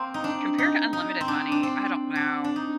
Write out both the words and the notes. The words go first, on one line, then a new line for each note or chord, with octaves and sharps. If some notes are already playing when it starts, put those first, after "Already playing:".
compared to unlimited money, I don't know,
Already playing: A#3 C4
D#4
D4
D#4
D#4
C4
D4
D4
C4
D4
D4
D#4